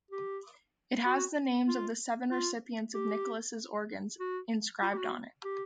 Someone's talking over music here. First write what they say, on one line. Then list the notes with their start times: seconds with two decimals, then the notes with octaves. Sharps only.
It has the names of the seven recipients of Nicholas' organs inscribed on it.
0.11 G4
1.06 F#4
1.68 F4
2.31 F4
2.94 G4
4.20 F#4
4.82 F4
4.93 G4
4.98 F#4
5.45 G4